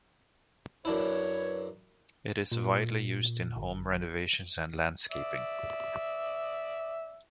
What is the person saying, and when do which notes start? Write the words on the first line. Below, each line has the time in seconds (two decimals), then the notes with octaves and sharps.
It is widely used in home renovations and landscaping.
0.85 F#2 D4 E4 B4 C#5
2.52 A#2
3.56 G1
5.12 D5 E5